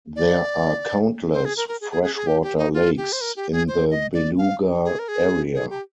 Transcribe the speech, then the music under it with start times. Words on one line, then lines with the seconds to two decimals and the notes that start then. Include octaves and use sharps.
There are countless freshwater lakes in the Beluga area.
0.16 D5
1.33 C5
1.45 G#4
1.57 A#4
1.68 A#4
1.81 G#4
1.91 G#4
2.03 G#4
2.15 G#4
2.27 G4
2.43 G4
2.58 D#4
2.74 F4
2.97 G4
3.12 C5
3.21 A#4
3.36 G4
3.52 G#4
3.68 C5
3.90 D#5
4.14 D5
4.38 F5
4.85 G#4
4.99 A#4
5.08 G#4
5.54 G#4
5.70 G4